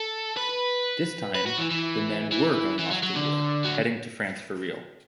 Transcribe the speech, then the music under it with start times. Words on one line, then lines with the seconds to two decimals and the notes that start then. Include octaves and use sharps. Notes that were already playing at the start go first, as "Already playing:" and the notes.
This time, the men "were" going off to war, heading to France for real.
Already playing: A4
0.37 B4
1.35 B4
1.46 F#4
1.59 E3
1.71 E3
2.32 E3
2.79 E3
2.92 F#3
3.03 F#3
3.15 D3
3.65 F#3